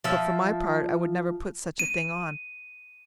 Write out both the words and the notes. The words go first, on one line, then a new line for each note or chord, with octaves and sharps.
But, for my part, I would never put such a thing on.
F3 E5
D#7